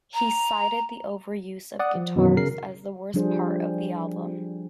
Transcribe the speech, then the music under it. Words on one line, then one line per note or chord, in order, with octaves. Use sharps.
He cited the overuse of guitars as the worst part of the album.
A#5
D5 F#5 D#6
F3
F#2 B2 D#3 E3 F#3
C#3 A#4 C7
F3 G3 D4 G#4 C5